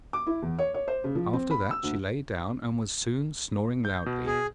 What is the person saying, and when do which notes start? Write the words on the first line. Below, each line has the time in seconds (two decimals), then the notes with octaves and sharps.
After that she lay down and was soon snoring loudly.
0.13 D6
0.27 E4
0.42 E2
0.58 C#5
0.74 C#5
0.88 C5
1.04 C#3
1.15 F3
1.33 C4
1.51 B5
1.71 E6
1.83 D2
3.85 G6
4.06 B2
4.26 G#4